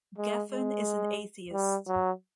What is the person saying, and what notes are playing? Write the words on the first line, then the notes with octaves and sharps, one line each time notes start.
Geffen is an atheist.
G#3
G#3
G3
F#3